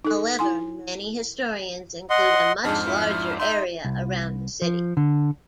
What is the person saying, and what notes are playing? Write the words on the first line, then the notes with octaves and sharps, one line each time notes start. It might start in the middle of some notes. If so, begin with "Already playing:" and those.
However, many historians include a much larger area around the city.
D#4 A4
E4 G#5 C6
D#5 F#5 C6
F2 G#2 D4 D#4 G#4 F6
F3 D4 E4
D#4 E5 C6 G6
C2
F3
D3